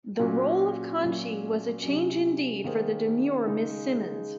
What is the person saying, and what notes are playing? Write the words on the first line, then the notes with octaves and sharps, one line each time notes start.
The role of Kanchi was a change indeed for 'the demure Miss Simmons.
A#2 F#3 C#4 F#4
A#2 F#3 C#4
C3 F#3 C#4
D#3 A#3 D#4 G#4 C5
C#3 G#3 D#4